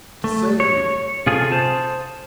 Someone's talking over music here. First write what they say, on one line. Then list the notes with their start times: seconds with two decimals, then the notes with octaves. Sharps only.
"To save you!"
0.24 A3
0.60 C#5
1.27 C3 F4 G#4 A4
1.52 C5 A5